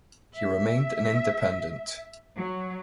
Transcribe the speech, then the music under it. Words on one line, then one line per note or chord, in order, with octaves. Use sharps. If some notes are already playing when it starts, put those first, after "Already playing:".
He remained an independent.
E5
F#3